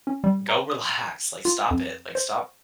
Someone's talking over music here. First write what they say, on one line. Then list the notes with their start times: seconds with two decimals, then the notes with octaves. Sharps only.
go relax. Like, stop it. Like, stop
0.07 C#4
0.24 G3
0.49 A#5
0.70 D#6
1.45 F4
1.71 F2
2.15 C5